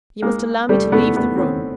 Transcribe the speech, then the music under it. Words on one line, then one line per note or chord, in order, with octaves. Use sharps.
You must allow me to leave the room.'
G#3 A#3
G3 A3
A3 B3
A3 B3
C4
B3 C#4